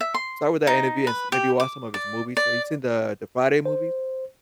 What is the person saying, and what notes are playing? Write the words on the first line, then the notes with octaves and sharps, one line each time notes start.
start with that interview and s maybe watch some of his movies, have you seen the the Friday movies
E5
C6
D#4
B4
G4
D6
D5
D5
C5